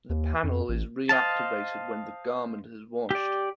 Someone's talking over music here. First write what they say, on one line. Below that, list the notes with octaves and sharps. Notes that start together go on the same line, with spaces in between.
The panel is reactivated when the garment is washed.
D#2
F2
A1
C5 D#5 F5 A5
G4 D5